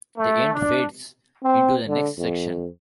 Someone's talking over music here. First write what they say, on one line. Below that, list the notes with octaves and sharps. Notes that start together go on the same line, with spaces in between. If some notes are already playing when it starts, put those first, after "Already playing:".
The end fades into the next section.
A3
D4
C4
D3
F2